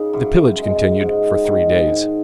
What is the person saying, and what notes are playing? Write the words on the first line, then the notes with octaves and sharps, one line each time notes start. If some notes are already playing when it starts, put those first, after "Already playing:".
The pillage continued for three days.
Already playing: C#3 D#4
F#2
G#3
G#2
D#3
G#2